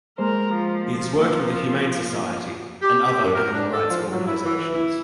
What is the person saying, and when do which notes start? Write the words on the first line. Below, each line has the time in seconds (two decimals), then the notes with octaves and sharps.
He has worked with The Humane Society and other animal rights organizations.
0.18 G#3 A#3 A#4 C5
0.55 F3
1.20 A#3
2.83 G4
3.07 G4
3.23 F#2
3.35 A#4
3.53 D4
3.71 A4
3.89 F3
4.10 F#3
4.27 E4
4.44 E3
4.73 E4